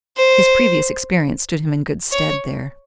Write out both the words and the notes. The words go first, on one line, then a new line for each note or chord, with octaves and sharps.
His previous experience stood him in good stead there.
C5
C#5